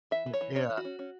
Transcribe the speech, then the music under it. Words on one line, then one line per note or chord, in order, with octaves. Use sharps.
Y yeah,
E3 E5
E3
C#5
E3
C#4 C#5
E3
F#4
C#4
C#4